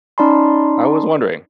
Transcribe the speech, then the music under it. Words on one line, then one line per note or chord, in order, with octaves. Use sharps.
I was wondering,
C#4 D#4 D5 A5 B5 C6